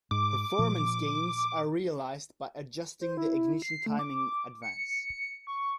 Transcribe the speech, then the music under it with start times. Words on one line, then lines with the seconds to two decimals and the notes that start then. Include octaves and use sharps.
Performance gains are realized by adjusting the ignition timing advance.
0.11 G#2 D6
0.59 A#2 F3
3.01 C5
3.17 E4
3.62 C7
3.86 A3
3.99 D6
4.62 C#7
5.47 C#6